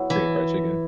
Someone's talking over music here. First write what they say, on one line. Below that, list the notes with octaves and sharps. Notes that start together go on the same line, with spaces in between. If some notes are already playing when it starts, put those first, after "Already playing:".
Korean fried chicken.
Already playing: F#3 B3 E4
E3